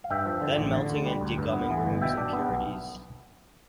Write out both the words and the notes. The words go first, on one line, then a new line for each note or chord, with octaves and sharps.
Then melting and degumming removes impurities.
F5
G2 E5 G5
F3
D3
A1
D3
D2
G3
D2
G2
B3
E3
G1
B2 E5 G5
D4
B3
B1